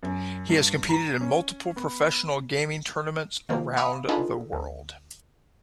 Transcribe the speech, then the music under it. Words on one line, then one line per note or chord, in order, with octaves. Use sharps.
He has competed in multiple professional gaming tournaments around the world.
F#2
G2
A#5
C#4
B3
D#3 F3 A#3
E5 F5 B5 C#6 D#6
D4 D#4 F4 G#4 A4 B4
D2